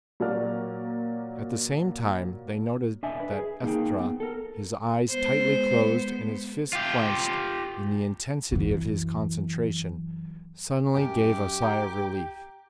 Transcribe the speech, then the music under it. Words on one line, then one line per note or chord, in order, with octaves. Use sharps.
At the same time they noted that Estra, his eyes tightly closed and his fists clenched in the intensity of his concentration, suddenly gave a sigh of relief.
A#2 F#3 A#3 F#4 D5 F6
D4 D#5 E5 G#5
B4
G#4
A#3 D#4 G#4 G5
B3
A4 A#4
G#3 B3 C5
F4 G4
F#2 E3
F#2 G4
G5 A#5 G6